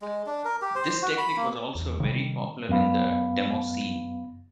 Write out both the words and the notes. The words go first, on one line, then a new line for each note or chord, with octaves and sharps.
This technique was also very popular in the demoscene.
G#3
D4
A#4
G4
C5
F#4
B5
A#3
E2
C3 D#3 G3
F#2 B3 F5 B5